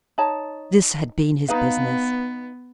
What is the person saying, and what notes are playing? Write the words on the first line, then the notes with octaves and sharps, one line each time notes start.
This had been his business.
D#4 C#5 A5
B3 D#4 B4 F5